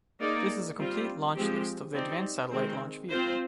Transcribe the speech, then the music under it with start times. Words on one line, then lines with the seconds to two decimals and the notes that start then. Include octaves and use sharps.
This is a complete launch list of the Advanced Satellite Launch Vehicle.
0.20 A#3 D#4 G#4 D5
0.78 G3 C4 F4
1.36 F3 G#3 C4 G4
1.94 C4 D#4 G4 D5
2.51 D#3 G#3 C4
3.09 C4 F4 C5